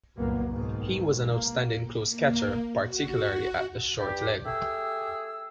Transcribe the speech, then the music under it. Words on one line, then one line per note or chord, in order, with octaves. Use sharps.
He was an outstanding close catcher, particularly at short leg.
F#1 C2 F#2 A#2 A#3 B3
G#2 B2 D#3
A#3
A#3
F#4
G2 G4
A3 G4 G#4 E6